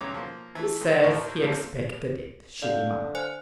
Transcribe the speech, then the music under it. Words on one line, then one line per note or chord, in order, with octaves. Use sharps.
"He says he expected it," she remarked.
B1 C#3 C#5 A#5 D6
F3 A#3
E3 A3
B1
D#2 A2 A4 A#4 C5 C#6
F3 A3 A#3 C4 D4 E4
D3 D5 F5
C5 G#5 F#6